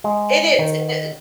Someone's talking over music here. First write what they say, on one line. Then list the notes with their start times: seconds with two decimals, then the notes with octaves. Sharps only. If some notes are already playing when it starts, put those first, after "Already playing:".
It is, i
0.04 G#3
0.59 D#3